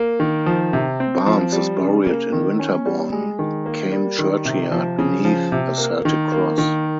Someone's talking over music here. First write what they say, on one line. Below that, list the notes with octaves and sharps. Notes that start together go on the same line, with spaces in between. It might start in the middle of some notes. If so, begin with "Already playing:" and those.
Barnes is buried in Winterborne Came churchyard beneath a Celtic cross.
Already playing: A#3
D#3
F3
C3
C4
F3
G3
C#3
A#3
D#3
C#4
G3
G#3
D#3
A#3
G3
D#3
C3
F3
C#3
F3
C3
A#3
D#3
A#3
D#3